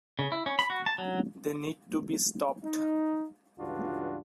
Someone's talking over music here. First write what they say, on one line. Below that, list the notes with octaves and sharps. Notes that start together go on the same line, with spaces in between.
They need to be stopped.
C#3
E4
C#4
B5
F#4
A5
F#3
D#4
C#2 G2 E3 D4 F4 F#4